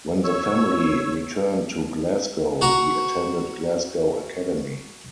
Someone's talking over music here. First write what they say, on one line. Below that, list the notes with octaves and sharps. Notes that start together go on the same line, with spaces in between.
When the family returned to Glasgow he attended Glasgow Academy.
C#5 C#6 E6
F#4 A#5 C#6